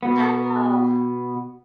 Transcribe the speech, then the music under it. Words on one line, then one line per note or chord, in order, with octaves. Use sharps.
I know,
B2 B3